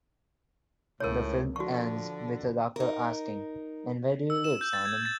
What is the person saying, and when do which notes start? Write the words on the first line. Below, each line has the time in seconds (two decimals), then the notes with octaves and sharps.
The film ends with a doctor asking, And where do you live, Simon?
1.00 C#2 A2 A#4 C#5
1.56 D3 F3 F#4 C#6
2.76 D#4 A#4
4.30 E6
4.44 E7
4.61 G6
4.73 A6
4.85 G#6
5.05 A6